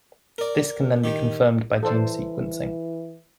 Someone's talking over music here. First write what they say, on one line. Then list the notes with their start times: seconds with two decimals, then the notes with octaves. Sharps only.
This can then be confirmed by gene sequencing.
0.38 A#4 D5
1.04 D#3 G4
1.83 E3 A4 C5 D5